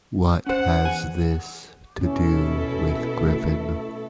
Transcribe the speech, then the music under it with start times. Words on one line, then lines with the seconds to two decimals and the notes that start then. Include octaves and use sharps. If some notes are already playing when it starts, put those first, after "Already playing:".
What has this to do with Griffin?
0.46 C#4 C5 F#5
0.85 E2 G#5
2.01 B2 C#4 E4 A4
3.26 A3